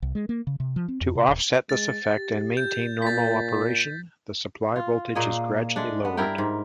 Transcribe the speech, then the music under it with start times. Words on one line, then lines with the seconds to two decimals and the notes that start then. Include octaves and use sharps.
To offset this effect and maintain normal operation, the supply voltage is gradually lowered.
0.02 C2
0.15 G#3
0.29 A#3
0.47 C#3
0.60 C3
0.76 F3
0.88 C4
1.01 F2
1.15 C3
1.28 D#1
1.69 G#3 A6
2.15 G4
2.57 G6
3.02 A#2 A6 B6
4.76 F4
5.15 A#2 A#3 G#4 D#5
5.76 G#3 A3 D4
6.05 B3
6.17 G2 E4 A#4 G5
6.38 G#2